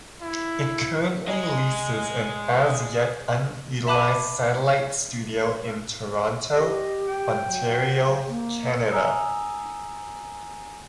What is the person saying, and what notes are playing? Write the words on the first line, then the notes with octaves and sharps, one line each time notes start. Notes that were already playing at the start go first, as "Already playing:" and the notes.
It currently leases an as-yet unutilized satellite studio in Toronto, Ontario, Canada.
E4
G#4 D#5
E5 A5 B5 D6 F#6 D#7
G4 D#5
G5
F#3
A#3
G#5 A#5 D#6 E6